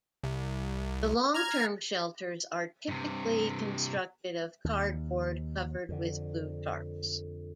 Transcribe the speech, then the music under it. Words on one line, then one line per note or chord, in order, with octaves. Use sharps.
The long-term shelters are typically constructed of cardboard covered with blue tarps.
C2
A#5 F6 G#6
G2 C3
D#2
F2 D3